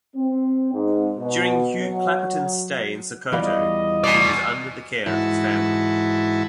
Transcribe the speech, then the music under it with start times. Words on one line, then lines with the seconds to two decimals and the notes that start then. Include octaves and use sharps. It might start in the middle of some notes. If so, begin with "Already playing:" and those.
During Hugh Clapperton's stay in Sokoto, he was under the care of his family.
0.16 C4
0.74 G#2
1.19 B2
1.79 F#3
3.32 E2 E3 G3 F4 D#5 F5
4.04 B2 D5 G#5
5.06 G#2 E3 E4 F#4 A5